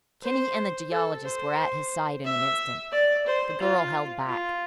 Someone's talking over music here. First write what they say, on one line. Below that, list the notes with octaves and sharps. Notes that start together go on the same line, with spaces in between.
Kinney and the geologist were at his side in an instant. The girl held back.
C5
A4
C5
E5
D5
C5
F4
F4